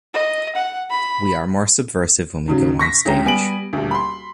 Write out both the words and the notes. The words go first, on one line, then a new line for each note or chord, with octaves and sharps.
We are more subversive when we go on stage.
D#5
F#5
B5
G#2 C#3 F#3
C#6 A#6 B6
D2 D3 G#3 C#4 G5 A#5
G3 B3 G#5 D7 F#7
D#1 D2
B5 C6